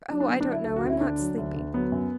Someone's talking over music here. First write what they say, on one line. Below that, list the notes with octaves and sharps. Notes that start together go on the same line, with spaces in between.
"Oh, I don't know, I'm not sleepy."
F#3 D4
D4
D3 B3
D4
F#3
E4
D2 A4
F#4
D2
E4
D3 D4
F#3
D2
D2
F#3 B3
F#2